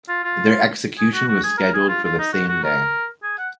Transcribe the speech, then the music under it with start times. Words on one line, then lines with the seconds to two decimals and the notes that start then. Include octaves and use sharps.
Their execution was scheduled for the same day.
0.09 F4
0.24 F4
0.98 G#4
1.14 F#4
1.28 F#4
1.43 G#4
1.58 A#4
1.73 G#4
1.88 F4
2.03 F4
2.19 D#4
2.33 F#4
2.48 F#4
2.63 A#4
3.23 G#4
3.38 F#5